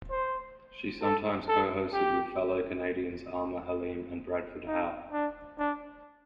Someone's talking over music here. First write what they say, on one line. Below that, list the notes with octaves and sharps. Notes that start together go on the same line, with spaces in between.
She sometimes co-hosted with fellow Canadians Aamer Haleem and Bradford How.
C5
A4
A4
G4
D#4
D4
D4